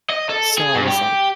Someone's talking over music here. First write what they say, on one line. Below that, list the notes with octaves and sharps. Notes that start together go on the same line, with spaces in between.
so I was, like,
D#5
A4
G#4
G2
G4